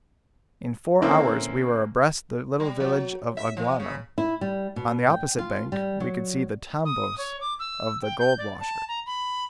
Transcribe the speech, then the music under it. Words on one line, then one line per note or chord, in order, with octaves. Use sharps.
In four hours we were abreast the little village of Aguano; on the opposite bank we could see the tambos of the gold washers.
D3 A#3 C4 C#4 E4
G3
F#3
E5
F3
C#3
E4
G3
B2
G5
F4
G3
F#3
D#6
C#5
D6
E6
G5
G6
D5
A5
A#5
B5